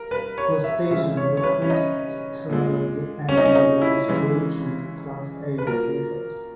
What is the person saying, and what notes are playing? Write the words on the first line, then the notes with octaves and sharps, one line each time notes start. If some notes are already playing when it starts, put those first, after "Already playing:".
The station requested and was granted Class A status.
Already playing: A#4
B4
C#5
E5
C#3 E3 G#3 E5
C#5
C#5
B4
C#4
D#4
A#2 G#3
C#4
D#4
C#4
D#4
E4
C#3 E3 G#3
B4
A#2 F#3 A#4